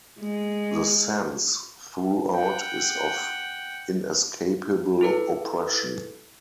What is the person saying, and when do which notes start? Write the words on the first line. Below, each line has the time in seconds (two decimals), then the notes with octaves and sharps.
The sense throughout is of inescapable oppression.
0.20 G#3
2.37 F#5 G5
5.01 E4 A4 B4